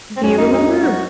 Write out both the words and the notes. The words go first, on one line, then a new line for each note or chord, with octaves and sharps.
Do you remember
C4
F#2 C#4
D#4
D#4
F#4